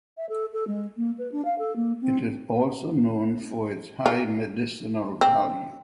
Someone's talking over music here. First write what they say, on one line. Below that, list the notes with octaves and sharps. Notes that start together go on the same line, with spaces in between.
It is also known for its high medicinal value.
E5
A4
A4
G#3
A#3
B4
D4
F5
A4
A#3
C4
F4
C4